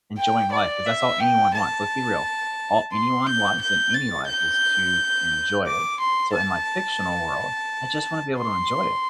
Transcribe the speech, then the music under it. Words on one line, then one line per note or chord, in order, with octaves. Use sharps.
enjoying life, 'cause that's all anyone wants. Let's be real, all anyone wants in any life is to enjoy it, so in my fictional world, I just wanna be able to enjoy it.
G5
D5
E5
G5
A5
C6
G6
G6
A6
G6
D6
C6
A5
C6